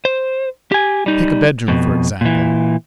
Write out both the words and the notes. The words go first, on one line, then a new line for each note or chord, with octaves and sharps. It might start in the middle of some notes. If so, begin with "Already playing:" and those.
Take a bedroom, for example.
C5
G4 G#5
G3 D#4
F2 B2
A#2 E3